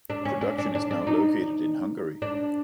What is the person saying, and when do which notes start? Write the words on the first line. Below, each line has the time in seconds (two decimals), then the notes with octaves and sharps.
Production is now located in Hungary.
0.10 D4
0.25 C#4
0.41 D4
0.58 D4
0.75 D4
0.91 D4
1.07 D#4
2.22 D4